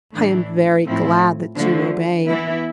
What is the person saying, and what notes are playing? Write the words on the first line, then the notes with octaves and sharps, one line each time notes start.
I am very glad that you obeyed.
A2 E3 A3 D4
A2 F3 C4 E4
D3 F3 A3
E3 B3 E4